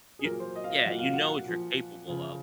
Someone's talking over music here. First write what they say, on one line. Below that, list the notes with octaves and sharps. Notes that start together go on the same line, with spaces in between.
You yeah, you know what you're capable of.
G#4
A#2 F#3 A#4
C5
D#5
F5
D#5
A#2 F#3 F#5
F5
F#5
A#2 F3
C#3 F3